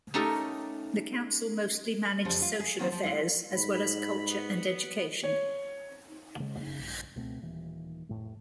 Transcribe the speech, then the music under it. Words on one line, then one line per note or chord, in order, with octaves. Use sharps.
The Council mostly managed social affairs as well as culture and education.
A3 C#4 D#4 G4 A4 A#4
F2 C#3 F3 G3
F4
G#4
D#3 F#3 C4 F4 G#4 C5
F3
G#3 E4
G#2 B5
B3
C#5
C#3 G#3
F#1 C#3
A#1 G2
C#2 B2 A3 C4
D#1 D#2 E3
F1 C#2 A2 A3